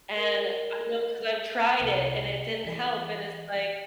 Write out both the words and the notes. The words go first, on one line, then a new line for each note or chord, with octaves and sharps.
and I know 'cause I've tried it and it didn't help and it's like,
A#4 D#5
C2
E3